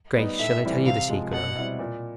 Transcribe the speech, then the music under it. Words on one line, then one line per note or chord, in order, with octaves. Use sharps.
Grace, shall I tell you the secret of it?
G3 B3 D#4
A2 E5
E3 G3 C4 E4
C3 F5
F3 G#3
B2 F#5
G3 C4 E4
A#2